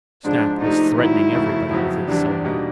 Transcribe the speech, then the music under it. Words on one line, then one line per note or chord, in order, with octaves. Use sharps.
Snap was threatening everybody with his cylinder.
G#2 F3 G#3 D4
C3 F3 A3 D4 D#4
G#2 D#3 F#3 E4
F2 C#3 F#3 A3
F2 C#3 F#3 B3
E2 C3 E3 G3 D4
B2 G3 A#3 D#4